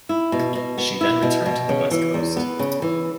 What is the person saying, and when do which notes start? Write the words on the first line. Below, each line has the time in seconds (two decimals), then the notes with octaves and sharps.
She then returned to the west coast.
0.09 E4
0.32 B2
0.55 B2
0.78 B3
1.01 E4
1.23 B2
1.46 B2
1.69 C#3
1.91 E3
2.14 E2
2.37 B3
2.59 C#3
2.82 E3